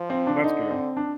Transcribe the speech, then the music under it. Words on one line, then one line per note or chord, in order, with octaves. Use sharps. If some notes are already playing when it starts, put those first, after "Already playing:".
Oh, that's good.
Already playing: F3
C4
D4
D3 D#4
C4
D4